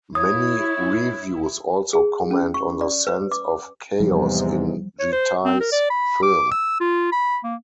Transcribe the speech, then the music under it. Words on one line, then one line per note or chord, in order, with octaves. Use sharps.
Many reviews also comment on the sense of chaos in Gitai's film.
E4 C#5 D#6
G#4
C#4
C#6
D5
B4
D6
E2 G#2 C3 F3 G3
C#5
C5
C4
A#4
D5
B5
D6
E6
F4
B5
A#3